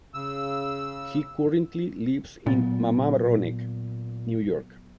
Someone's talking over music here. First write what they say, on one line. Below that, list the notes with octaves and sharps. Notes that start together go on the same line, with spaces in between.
He currently lives in Mamaroneck, New York.
C#3 E6
A#2 F#3 B3